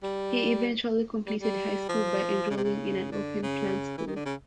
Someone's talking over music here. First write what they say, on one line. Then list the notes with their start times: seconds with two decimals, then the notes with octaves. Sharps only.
He eventually completed high school by enrolling in an open plan school.
0.03 G3
1.27 G3
1.41 G3
1.89 F3
2.51 C#3
2.57 C3
2.64 C#3
3.12 D3
3.43 C#3
3.98 E3
4.07 D#3
4.16 D3
4.25 C#3